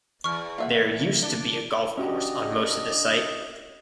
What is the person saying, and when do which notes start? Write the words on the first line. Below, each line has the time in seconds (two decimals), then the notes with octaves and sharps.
There used to be a golf course on most of this site.
0.24 E2 C#6 F6
0.58 A#3 F4 E5 F#5
1.23 D4 G7
1.97 C#4 D4 F#4 G4 D#5